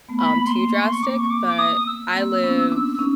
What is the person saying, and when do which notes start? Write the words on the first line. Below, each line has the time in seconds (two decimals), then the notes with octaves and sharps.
um, too drastic, but I live
0.09 A3 B3
0.18 B5
0.28 A#3
0.41 B5
0.47 A#3 C6
0.74 C#6
0.84 C6
0.92 C#6
1.03 A#3 C4 D6
1.19 C#6
1.30 D6
1.47 D6
1.59 D#6
1.87 E6
2.15 A#3 C4
2.44 B3 C#4
2.72 C4 D4
2.99 C#4 D#4